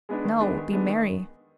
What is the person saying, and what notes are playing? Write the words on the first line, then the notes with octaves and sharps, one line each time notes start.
No, be merry.
G#3 B3 D4
D#3
G#3 B3 D4
D#3
G#3 B3 D4
D#3